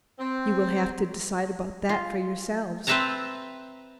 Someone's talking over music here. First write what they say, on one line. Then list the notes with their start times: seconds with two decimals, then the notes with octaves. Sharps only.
You will have to decide about that for yourselves.
0.18 C4
1.89 F4
2.87 C4 B4 E5 G5 A5 A#5